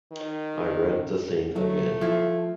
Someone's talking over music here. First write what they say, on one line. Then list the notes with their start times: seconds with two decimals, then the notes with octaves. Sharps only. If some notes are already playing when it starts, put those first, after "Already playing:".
I read the thing again.
0.12 D#3
1.56 F#3 A3
2.01 F3 E4